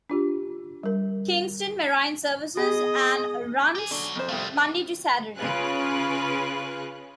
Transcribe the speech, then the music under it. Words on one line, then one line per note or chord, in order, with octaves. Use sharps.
Kingston Marine Services and runs Monday to Saturday.
D4 F4 G4
G3 A#4
B3 G#4 D#5
G4 G#5
B2 D3 F#3
F2 C5
C2 F2 A3 F5
C#3 F4 G#4 B4 F#6